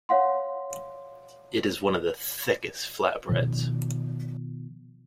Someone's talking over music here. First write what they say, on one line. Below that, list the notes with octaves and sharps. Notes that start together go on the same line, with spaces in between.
It is one of the thickest flat breads.
C#5 F5 F#5 C6
B2 D#3 F3